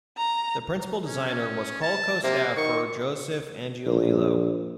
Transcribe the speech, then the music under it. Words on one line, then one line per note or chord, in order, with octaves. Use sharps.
The principal designer was Coleco staffer Joseph Angiolillo.
A#5
C#4
A5
C3 A#3
D#3 C#6
A#1